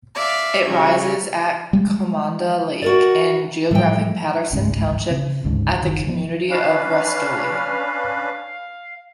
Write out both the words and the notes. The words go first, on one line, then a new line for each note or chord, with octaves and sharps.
It rises at Commanda Lake in geographic Patterson Township at the community of Restoule.
D5 E5 F5
C#3 F#3 G3 C#4
G3 G#3
F#4 A#4 D5
A2 E3 F3 G3 G5
G1 C#2 G#2 C#4
C#3 C4
G1 D2 G#2 C#3
F#1 D#3
F3 B3
C#4 D4 B4 F5